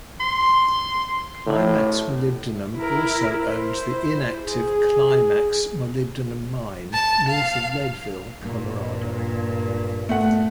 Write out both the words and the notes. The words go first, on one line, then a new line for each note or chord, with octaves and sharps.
Climax Molybdenum also owns the inactive Climax molybdenum mine, north of Leadville, Colorado.
C6
A2
E4 A#4
E4 C5
G#4
A5
F5
G2 A#2
A3 F#5